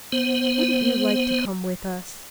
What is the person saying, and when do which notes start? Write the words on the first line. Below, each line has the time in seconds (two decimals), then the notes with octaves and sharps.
Wouldn't you like to come with us?'
0.12 B3 C5